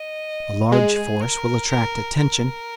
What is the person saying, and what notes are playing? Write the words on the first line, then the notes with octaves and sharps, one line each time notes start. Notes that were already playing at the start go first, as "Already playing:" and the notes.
A large force will attract attention.
Already playing: D#5
G#3 G#4
A#4
A#4
A#4